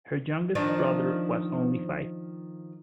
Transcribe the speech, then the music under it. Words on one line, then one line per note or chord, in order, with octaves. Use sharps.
Her youngest brother was only five.
D#3 F3 D4